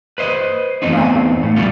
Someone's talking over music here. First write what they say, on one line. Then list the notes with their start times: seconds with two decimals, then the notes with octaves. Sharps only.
Right, right.
0.18 B4 C5 D#5
0.82 E2 G#2 A3 B3 C4 D#4
1.43 A2
1.56 G#2 F3 G3 A3 C#4 F4